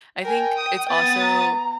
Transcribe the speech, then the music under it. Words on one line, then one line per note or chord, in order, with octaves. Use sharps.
I think it's also
A#4 G5 G#5
D#6
B3 D#6 A6
A#5